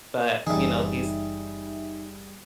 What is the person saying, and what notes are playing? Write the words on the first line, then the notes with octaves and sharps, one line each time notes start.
But you know, he's
F#1 C#2 E3 G3 D#4 G#4 E5